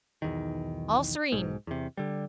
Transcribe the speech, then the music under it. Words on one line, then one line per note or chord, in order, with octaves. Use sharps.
All serene.
B1 E2 D#3
B1 G#2
E2 C3
D3 G3